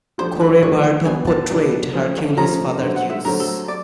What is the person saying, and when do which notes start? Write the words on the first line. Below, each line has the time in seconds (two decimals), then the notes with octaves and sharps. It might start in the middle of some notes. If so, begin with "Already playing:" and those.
Corey Burton portrayed Hercules' father Zeus.
0.18 F3 A3 D4 F4 C5
0.41 B4
0.62 F3 A3 D4 F4 C#5
0.83 G5
1.05 F#3 B3 D4 G#5
1.27 A5
1.50 F#3 B3 D4
1.93 F3 A3 C#4 F4
2.37 F3 A3 C#4 F4 A#5
2.80 D3 F#3 A3 C4
2.96 F#5
3.10 E5
3.25 D3 F#3 A3 C4 A#4
3.40 A4
3.68 D5